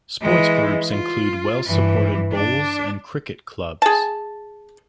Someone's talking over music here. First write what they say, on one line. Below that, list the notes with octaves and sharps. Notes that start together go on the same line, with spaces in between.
Sports groups include well-supported Bowls and Cricket clubs.
E3 G#3
F4
G2 E3
D4
G#4 A5